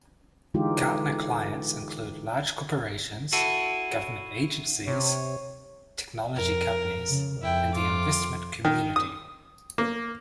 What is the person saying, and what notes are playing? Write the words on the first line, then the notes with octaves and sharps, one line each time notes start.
Gartner clients include large corporations, government agencies, technology companies and the investment community.
D3 E3 G#3 D#4 F4 G4
E4 F#4 A4 C7 D#7
C3 C#5
F2 A#4
C#3
F2 E4 G5
F4 D6
D#3
D#6
A#3